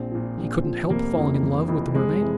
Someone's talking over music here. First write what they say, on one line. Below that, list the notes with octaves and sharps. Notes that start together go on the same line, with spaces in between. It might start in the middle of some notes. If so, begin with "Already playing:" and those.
"He couldn't help falling in love with the mermaid."
Already playing: A#1 C4
A#2 F3
A#1
A#2 F3
F1 A#3
F2 E3
F1
F2 E3
F1 G#3
C3 E3